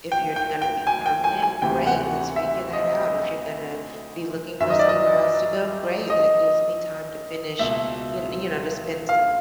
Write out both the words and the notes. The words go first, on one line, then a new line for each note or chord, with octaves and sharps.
If you're gonna be permanent, great, let's figure that out, if you're gonna be looking for somewhere else to go, great that gives me time to finish, you you know, to spend some
G5
G5
G5
G#5
G5
G#5
G#5
D2 C3 E3 G5
F#5
E5
D#5
F#2 D#3 E5
D#5
D5
D#5
D#5
C#2 B2 E5
F5